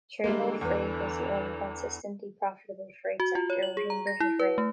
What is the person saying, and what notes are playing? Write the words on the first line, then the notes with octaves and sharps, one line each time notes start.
Trainload Freight was the only consistently profitable freight sector within British Rail.
D3 E3 G3 G#3 A#3
E2 B4
F#4
F4
C#5
F#7
G#4
A#5
A#6
E4
B4
A3